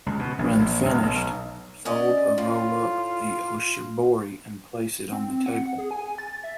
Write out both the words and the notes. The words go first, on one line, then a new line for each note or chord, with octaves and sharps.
When finished, fold or roll up the oshibori and place it on the table.
C#2
B2
A#1
A#1
C#2
B1
C#4 D5 D#5
A2 F4
C4
F#5
G#4
G#5
A6
E5